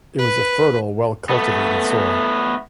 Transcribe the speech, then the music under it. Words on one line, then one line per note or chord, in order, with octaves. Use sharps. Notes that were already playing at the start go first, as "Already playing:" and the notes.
It was a fertile, well-cultivated soil.
B4
A3 B3